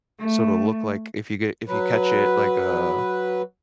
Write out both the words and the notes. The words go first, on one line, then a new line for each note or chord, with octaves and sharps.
Sorta look like, if you get if you catch it, like a
A3
F#3 B4